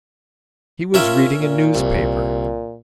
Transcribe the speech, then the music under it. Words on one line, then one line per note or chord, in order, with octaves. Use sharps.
He was reading a newspaper.
C#4 F4 A#4 E5
A#2
C2